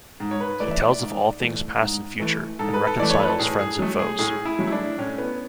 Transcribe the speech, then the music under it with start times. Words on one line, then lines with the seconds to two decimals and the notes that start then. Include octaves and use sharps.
He tells of all things past and future, and reconciles friends and foes.
0.20 G#2
0.31 C#5
0.40 B4
0.60 E3 A3 D5
0.71 E5
0.80 D5
0.99 G#2
1.40 E3 A3
1.80 G#2
2.20 E3 A3
2.59 G#2 A4
2.74 B4
2.87 A4
2.99 E3 A3 D5
3.10 C#5
3.19 B4
3.29 A4
3.39 A2 G#4
3.59 G#4
3.79 F#3 A3
3.99 G#4
4.19 A2 G#4
4.45 E4
4.59 F#3 A3
4.67 E4
4.72 D4
4.98 A2 C#4
5.18 B3